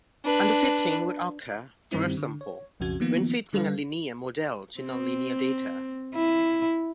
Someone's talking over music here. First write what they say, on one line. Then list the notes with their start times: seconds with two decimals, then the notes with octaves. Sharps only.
Underfitting would occur, for example, when fitting a linear model to non-linear data.
0.24 D4 B4
1.92 G2 D#3 G3 C4 E4
2.17 D3
2.41 C#5
2.80 B1 F2 C#3 F#4 G#6
3.00 D#3 F3 A#3 B3 F4
3.53 D3 G3 A4 B4 F5
4.80 C4
6.15 E4